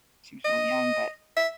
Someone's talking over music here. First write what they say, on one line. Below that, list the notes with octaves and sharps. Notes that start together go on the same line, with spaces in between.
she was really young, but,
D#5
E5